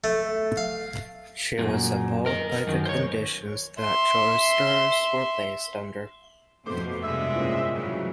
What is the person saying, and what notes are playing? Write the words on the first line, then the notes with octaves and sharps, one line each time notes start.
She was appalled by the conditions that choristers were placed under.
A3
F5
F#2 A#2
A#4 D#5
F#2 D#3
C5 C#5
E5 C6
F2 B2 A3 C5 D6
G2 C3 G#3 E5
A#2 A#3 C#4 C5 D#5
A2 C#3 E3 F#3